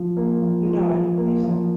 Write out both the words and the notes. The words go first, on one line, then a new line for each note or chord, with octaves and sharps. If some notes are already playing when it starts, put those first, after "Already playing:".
No, I don't believe so.
Already playing: F3 F4
A#3
F3
F4
F3
A#3
F3